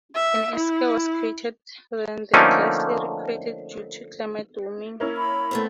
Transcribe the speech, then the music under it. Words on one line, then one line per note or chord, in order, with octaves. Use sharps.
An esker was created when the glacier retreated due to climate warming.
E5
E4
D3 F3 A3 A#3 C#4 D#4
A#3 C#4 E4
B5
A3 B3 C4